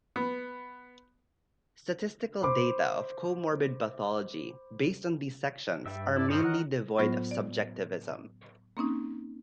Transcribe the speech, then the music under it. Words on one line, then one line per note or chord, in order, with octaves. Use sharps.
Statistical data of comorbid pathology, based on these sections, are mainly devoid of subjectivism.
B3
C5 B5 D6
G2 G3 E5 E6
E4 A4 D5
C#3 F3 C4 C#5 D#5
D#3 A#4 F#5
A2 F#3 B3 F4 C5 A#6
D5
A#3 C4 C#4 D#4